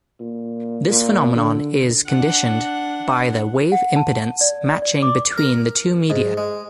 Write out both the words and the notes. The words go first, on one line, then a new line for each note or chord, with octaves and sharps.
This phenomenon is conditioned by the wave impedance matching between the two media.
A#2
A#2
D3
D4 F#5
F#5
A5
D5
D5
D6
A#4
G#2
G#3